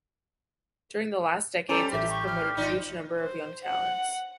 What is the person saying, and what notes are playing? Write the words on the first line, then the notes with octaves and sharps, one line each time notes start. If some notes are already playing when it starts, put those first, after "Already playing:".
During the last decades it has promoted huge number of young talents.
G3 C#4 A4 C5 D5 A#5
A1 G4 E5
C#6
F6
G#1 D#4 F4 D5
C5
F#5